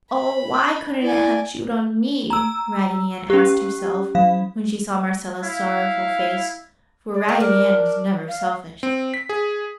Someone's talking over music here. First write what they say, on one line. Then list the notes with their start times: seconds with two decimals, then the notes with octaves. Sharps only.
"Oh, why couldn't it have chewed on me?" Raggedy Ann asked herself when she saw Marcella's sorrowful face, for Raggedy Ann was never selfish.
0.11 B5
1.02 E4 D5 G#5
2.30 A#5 E6
3.30 C#4 G4
4.15 F#3 F5
5.43 E4 F5
7.14 D5
7.28 F4 G#4 D#5 G5
7.40 D4 A#4
8.28 F5
8.83 C4
9.14 B6
9.29 G#4